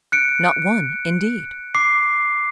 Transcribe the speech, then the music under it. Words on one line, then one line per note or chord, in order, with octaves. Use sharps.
"Not one, indeed."
F#6 C#7 D7
D6 C7